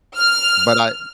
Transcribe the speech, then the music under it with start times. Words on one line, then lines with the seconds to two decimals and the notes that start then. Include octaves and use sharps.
But I
0.16 F6